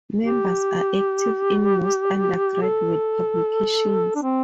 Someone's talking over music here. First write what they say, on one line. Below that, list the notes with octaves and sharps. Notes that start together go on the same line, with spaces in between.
Members are active in most undergraduate publications.
G4
A4
D4
C4